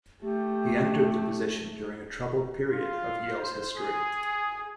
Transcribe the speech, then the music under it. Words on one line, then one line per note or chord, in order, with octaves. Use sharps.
He entered the position during a troubled period of Yale's history.
A3 G4
F4
C5
G#4